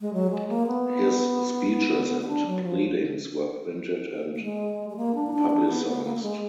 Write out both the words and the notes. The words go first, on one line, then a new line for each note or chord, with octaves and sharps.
His speeches and pleadings were printed and publicized.
G#3
F#3
G#3
A#3
B3
B3
D4
F#3
F3
A#3
G#3
G#3
A#3
D4
D#4
D4
D4
B3
B3
A#3
A#3
G#3